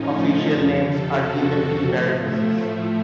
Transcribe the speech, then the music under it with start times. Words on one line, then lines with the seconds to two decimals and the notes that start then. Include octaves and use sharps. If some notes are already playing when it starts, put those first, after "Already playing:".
Official names are given in parentheses.
Already playing: A2 F3 C#4 D#4
0.51 F2 C3 F3
0.84 A4
1.18 F#4
1.85 A2 F3
2.19 A3
2.52 A3